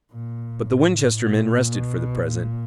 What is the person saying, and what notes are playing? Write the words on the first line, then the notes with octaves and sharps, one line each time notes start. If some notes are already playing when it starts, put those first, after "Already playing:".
But the Winchester men rested for the present.
A#2
A2
A#2
B2
A#2